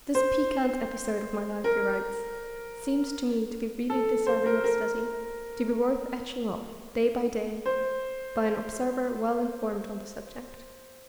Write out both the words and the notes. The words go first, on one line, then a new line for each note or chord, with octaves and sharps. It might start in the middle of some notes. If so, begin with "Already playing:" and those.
"This piquant episode of my life," he writes, "seems to me to be really deserving of study; to be worth etching off, day by day, by an observer well informed on the subject."
C5
A#4
A4
C5
A#4
A#4
C5